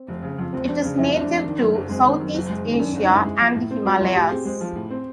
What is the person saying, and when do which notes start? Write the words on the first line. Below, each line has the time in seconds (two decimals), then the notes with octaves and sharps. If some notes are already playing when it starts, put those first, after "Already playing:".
It is native to Southeast Asia and the Himalayas.
Already playing: C4
0.08 F1
0.23 C#3
0.38 F2
0.53 F1 C4
0.68 F1 D4
0.83 C#3 D4
0.98 F2 E4
1.14 F1
1.21 D4
1.28 F1
1.44 D#3
1.59 F#2
1.75 F#1
1.89 G#3 C4
2.05 D#3
2.20 F#2
2.34 F#1
2.49 G#3
2.64 D#3
2.73 C#4
2.79 F#2 D4
2.91 F#1 D4
3.02 D#4
3.09 G#3 E4
3.24 G#3
3.41 F3
3.55 A2
3.71 C4
3.85 G#3 F#4
4.00 F3 F4
4.15 A2 G4
4.30 C4 G#4
4.45 G#3 C5
4.61 F3
4.76 A2
4.90 C4